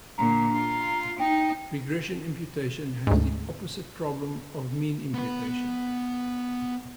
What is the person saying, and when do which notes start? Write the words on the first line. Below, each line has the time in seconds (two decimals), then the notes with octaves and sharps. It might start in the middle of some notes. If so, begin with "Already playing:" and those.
Regression imputation has the opposite problem of mean imputation.
0.18 A#2 D3 A#5
0.52 F4
1.19 D#4 G5
3.07 D2 G#2
5.14 B3 B4